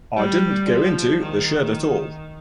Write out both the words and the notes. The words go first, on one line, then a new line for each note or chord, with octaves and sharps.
I didn't go into the shed at all.
G3
F3
D#3